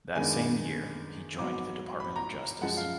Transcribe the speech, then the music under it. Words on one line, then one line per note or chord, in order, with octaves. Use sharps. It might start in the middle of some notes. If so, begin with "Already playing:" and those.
That same year he joined the Department of Justice.
F#2 D#3 G#3 B3 D4 G#5
G#2 F#3 B3 D6
B5
A#5
F#2 F3 G#3 F#5
F5